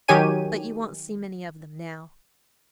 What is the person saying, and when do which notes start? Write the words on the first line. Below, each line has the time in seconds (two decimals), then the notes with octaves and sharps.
But you won't see many of them now.
0.08 D#3 F#3 G4 C#5 G#5 D#7